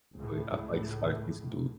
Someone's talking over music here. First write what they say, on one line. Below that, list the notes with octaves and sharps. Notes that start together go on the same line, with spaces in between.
but, I finds finds things to do.
C#2 A2